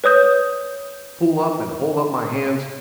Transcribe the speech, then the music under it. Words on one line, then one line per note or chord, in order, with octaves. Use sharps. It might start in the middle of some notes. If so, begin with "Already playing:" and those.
Pull up and hold up my hands?
B4 C#5 D#6 G6